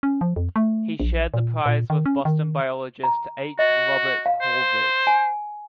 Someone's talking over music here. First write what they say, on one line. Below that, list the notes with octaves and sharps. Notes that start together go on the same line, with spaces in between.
He shared the prize with Boston biologist H. Robert Horvitz.
C#4
F3
F2
A3
A#1
A#2
A#2
D#3
C#4
D#3
A#5
F#4 D#5
F5
C5
G#5